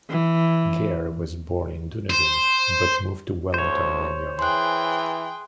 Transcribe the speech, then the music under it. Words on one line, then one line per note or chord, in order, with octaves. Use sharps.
Gair was born in Dunedin, but moved to Wellington when young.
E3
C5
D2 C5 C#5
E3 G#4 G5 C6 F#6